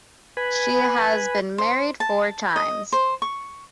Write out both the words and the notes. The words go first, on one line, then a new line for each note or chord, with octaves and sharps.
She has been married four times.
B4 G#5 B5
C5
A5
D#5
C5
C#6